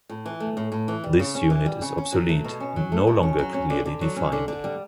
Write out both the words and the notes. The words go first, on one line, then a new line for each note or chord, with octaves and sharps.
This unit is obsolete and no longer clearly defined.
A2
E3
A3
A2
A2
E3
G3
C#3
C#4
E3
G3
C#3
C#4
F#3
A3
B2
C#4
F#3
A3
B2
C#4
F#3
C#4
D3
D3
F#3
C#4
D3
D3
G3